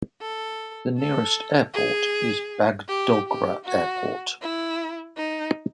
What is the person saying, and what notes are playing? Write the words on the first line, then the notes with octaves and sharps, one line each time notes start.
The nearest airport is Bagdogra airport.
A4
A4
G#4
G4
G4
F#4
E4
D#4